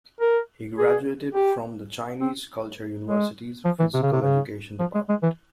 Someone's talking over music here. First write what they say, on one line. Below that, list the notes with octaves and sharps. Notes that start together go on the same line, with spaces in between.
He graduated from the Chinese Culture University's physical education department.
A#4
G#4
G4
C4
G#3
F3
E3
C3
C#3
C3
C#3
F3
G#3
G#3
E3